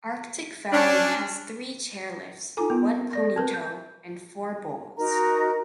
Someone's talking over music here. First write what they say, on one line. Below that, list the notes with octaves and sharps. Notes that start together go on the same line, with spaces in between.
Arctic Valley has three chair lifts, one pony tow, and four bowls.
C#4 D4
D#4 F4 A4 G#5 A#5 D6
B3 F4 A#4
A4 D5 A#6
C4 A#4 B4 A5
G6
D#4 F#4 A#4 A#5